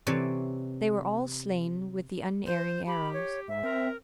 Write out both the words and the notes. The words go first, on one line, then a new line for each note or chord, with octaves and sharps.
They were all slain with the unerring arrows.
C3 E3 C#5 D5
C5
G4 B5
C#5
G#2 E5
C4 A#4